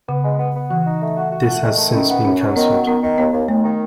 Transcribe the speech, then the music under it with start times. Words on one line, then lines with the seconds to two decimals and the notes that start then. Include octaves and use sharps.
This has since been cancelled.
0.09 C#3 B3
0.24 G#3
0.39 B3
0.56 B3
0.71 E3 F#4
0.86 D#4
1.01 A3
1.17 F#4
1.32 F#4
1.48 A3
1.63 D#3
1.78 A3
1.94 D#3 C#4
2.10 B3
2.25 F#2 C#4
2.41 F#3
2.56 D#3 B3
2.72 F#3
2.87 D#3 B3
3.03 D#3
3.18 D#2 B3
3.33 D#2
3.48 D#2 A3
3.64 D#3